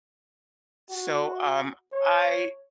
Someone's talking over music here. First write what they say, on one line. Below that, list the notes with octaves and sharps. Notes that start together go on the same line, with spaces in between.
So, um, I
F#4
C#5